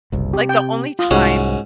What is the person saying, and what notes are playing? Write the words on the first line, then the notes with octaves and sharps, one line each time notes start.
Like, the only time
F#1 C2
C3 G4
G5
F4 D#6
C2 G#2 C#4 F#4